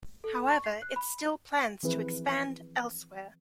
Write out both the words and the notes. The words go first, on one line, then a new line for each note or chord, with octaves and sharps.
However, it still plans to expand elsewhere.
A4
C#6
C7
F#6
B5
E3 F3 C4 E4 G#4 B4